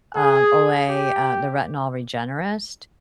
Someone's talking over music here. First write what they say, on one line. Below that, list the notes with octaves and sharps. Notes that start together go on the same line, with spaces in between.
um, Olay, uh, the Retinol Regenerist,
G#4
G4